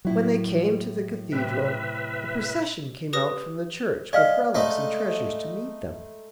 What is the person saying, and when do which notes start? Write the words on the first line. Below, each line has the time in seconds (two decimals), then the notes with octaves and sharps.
When they came to the cathedral, the procession came out from the church with relics and treasures to meet them.
0.05 A2 F#3 E4 F#4
1.32 A2 C3 B4 E5
3.13 G4 B4 D#6 A#6
4.13 G#3 D5 F5 F6
4.54 G#3 A3 D#4